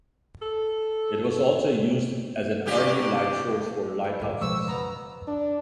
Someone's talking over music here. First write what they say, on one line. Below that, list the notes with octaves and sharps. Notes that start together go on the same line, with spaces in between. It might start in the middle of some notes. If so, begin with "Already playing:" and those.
It was also used as an early light source for lighthouses.
A4
A2 D3 G4
A3 E4
C2 A2 D#3 A#3 D6
B2 F3 G#3 B4 C5 C#6 E6
F#2 C#3 B3 A#5
D4